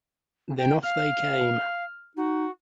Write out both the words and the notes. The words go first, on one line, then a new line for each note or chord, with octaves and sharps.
Then off they came.
G5
F5 F6
D#4 F#4